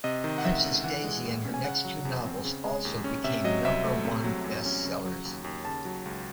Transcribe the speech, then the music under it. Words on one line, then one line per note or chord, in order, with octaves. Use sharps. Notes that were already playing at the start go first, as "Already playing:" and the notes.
"Princess Daisy" and her next two novels also became number one bestsellers.
C3 D#5
D#3
F#5
C#2 E5
C#2
E3 F#5
G#3
A2
C#4
G#5
C#3 F#5
F#3
E2
C4
C#3
G#3
D#2
C#4
C3 E5
F#3 D#5
C2 E5
A3
C3
F#3
E2
C#4
C#3
F#3
D#2
D#2
C#3 A5
F#3
C#2